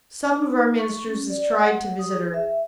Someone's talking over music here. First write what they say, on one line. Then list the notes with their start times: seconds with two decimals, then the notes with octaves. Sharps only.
Some of our ministers has tried to visit her.
0.38 D#4
0.79 C#6
1.06 C#4
1.30 D5
1.52 F#5
1.99 D#6
2.14 G#4
2.34 E5